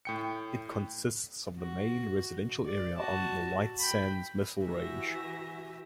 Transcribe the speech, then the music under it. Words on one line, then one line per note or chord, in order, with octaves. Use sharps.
It consists of the main residential area on the White Sands Missile Range.
A2 G5 C#7
F#4
D5
F#4 A5
G5 B5
E3 F#4 G4 E5 G#5 A#6